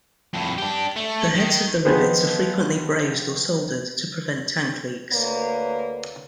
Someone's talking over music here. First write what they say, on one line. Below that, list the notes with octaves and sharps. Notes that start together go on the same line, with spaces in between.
The heads of the rivets are frequently brazed or soldered to prevent tank leaks.
F2 A2
D4 G4
A3
D#3
D#3 F3 B3 G#4 C5
D2 A#3 B4 C#5 D5